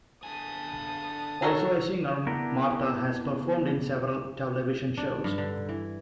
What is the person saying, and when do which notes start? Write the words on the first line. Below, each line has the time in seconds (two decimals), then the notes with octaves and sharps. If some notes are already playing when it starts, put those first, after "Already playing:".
Also a singer, Marta has performed in several television shows.
0.23 D3 G#5 A5 D#6
1.42 F#3 F#4 A4 A#4 C5 C#5
2.27 B3 D4 E4 G4 A#4 B4
4.97 D4
5.24 G2
5.38 D3
5.69 E3